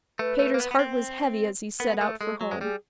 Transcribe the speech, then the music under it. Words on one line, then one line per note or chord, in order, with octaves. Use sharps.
Peter's heart was heavy as he set out for home.
A3 B4
A3
A#3
B3
B3
C4
B3 A#4
A4
A#4
A3
G#3 A4
F#3
G#3
G3 G#4